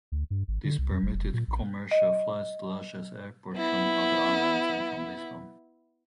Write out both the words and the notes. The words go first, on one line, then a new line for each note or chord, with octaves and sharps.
This permitted commercial flights to Lajes Airport from other islands and from Lisbon.
D2
G2
G#1
D3
C2
F2
F#1
F1
A#2
A#1
D#5
B3 E4